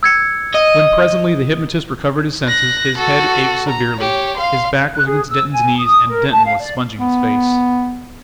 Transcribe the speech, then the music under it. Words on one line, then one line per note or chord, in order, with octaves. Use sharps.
When presently the hypnotist recovered his senses, his head ached severely, his back was against Denton's knees and Denton was sponging his face.
E6 G#6 C#7
D#5
F#6 A#6
F#4 A4
A#5
G4 C#5
F5 C6
F#6
G#4
E6
G#5
D#6
A#4
A5
F5
D5
B3